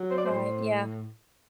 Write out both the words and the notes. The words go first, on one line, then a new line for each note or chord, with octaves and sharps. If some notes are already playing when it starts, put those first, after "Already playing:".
Right, yeah.
Already playing: F#3
C5
D5
A2 C5